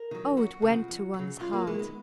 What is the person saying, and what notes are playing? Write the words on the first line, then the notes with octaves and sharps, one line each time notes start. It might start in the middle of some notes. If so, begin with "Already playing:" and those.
O! it went to one's heart!
Already playing: A#4
D#3 F#3
F#2 F#4
C#3 F3
F2
F#3
C#3
F#2 F4
A#3
D#3 F#3 G#3
B3